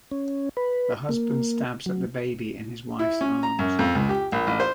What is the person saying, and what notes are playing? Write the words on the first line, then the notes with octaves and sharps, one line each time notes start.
The Husband stabs at the baby in his wife's arms.
C#4
B4
A#3
F#3
E4
C#4
A#5
F#2
F2
C#2
G4
A#1
A1
C5